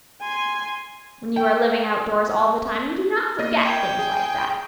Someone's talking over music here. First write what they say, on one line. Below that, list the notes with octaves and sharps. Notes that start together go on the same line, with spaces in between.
When you are living outdoors all the time you do not forget things like that.
G#5 C6
G5
A#3 D#5
G5 G#6
G#4 G#5